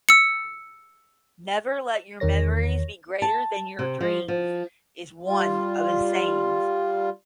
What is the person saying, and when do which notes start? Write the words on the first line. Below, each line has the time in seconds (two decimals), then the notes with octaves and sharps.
"Never let your memories be greater than your dreams" is one of his sayings.
0.09 E6 C#7
2.20 E2 D#3 A#4 C#5 A#6
3.22 A5
3.79 C3
4.01 F3
4.28 F3
5.26 G3 F4